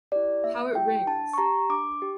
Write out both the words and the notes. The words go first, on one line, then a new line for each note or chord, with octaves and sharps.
How it rings!
E4 G4 D5
A#3 E5
E4 G4 G5
D4 A5
C#6
G4 A#5
D4 D6
G4